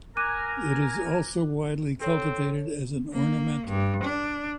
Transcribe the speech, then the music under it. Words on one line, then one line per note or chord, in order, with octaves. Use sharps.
It is also widely cultivated as an ornamental.
A#4 G#5 A#5 D6 F#6 D#7
C4 A4 C#5
A#3
G2
D4